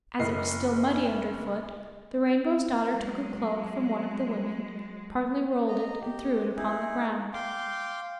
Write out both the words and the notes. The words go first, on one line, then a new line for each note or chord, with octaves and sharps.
As it was still muddy underfoot the Rainbow's Daughter took a cloak from one of the women, partly rolled it and threw it upon the ground.
F#1 D#5 C7
F#3 G#3
D#5 A#5
G4
D#4 E4 G#4
F5 G5 C6 D6